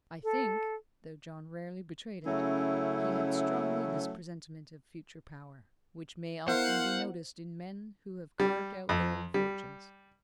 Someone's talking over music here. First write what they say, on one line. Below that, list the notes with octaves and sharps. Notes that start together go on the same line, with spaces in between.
I think--though John rarely betrayed it--he had strongly this presentiment of future power, which may often be noticed in men who have carved out their own fortunes.
A4
C#3 F#3 A3 C#4 E4
B3 E4 A#4 C5 F5 F#5
G3
F2
G3